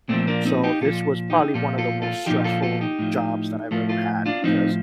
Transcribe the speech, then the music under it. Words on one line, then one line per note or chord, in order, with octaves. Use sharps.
so this was probably one of the most stressful jobs that I've ever had because
A#2 F3 A3 C4
A#3 D4
C4 D#4
D#4 G4
A#2 F3 F4 A4
D#4 G4
A#2 F3 F4 A4
F4 A4
F4 A4
A#2 F3 D#4 G4
F4 A4
F4 A4
D#4 G4
A2 F3
A2 F3 F4 A4
F4 A4
D4 F4
A2 F3 C4 D#4